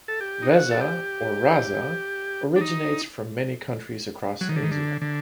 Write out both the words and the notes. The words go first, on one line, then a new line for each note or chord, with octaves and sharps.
"Reza" or "Raza" originates from many countries across Asia.
A4
G4
D#4
F#4
A4
G4
D4
D#4
F#3
D#3
D3
D#3
D3
D3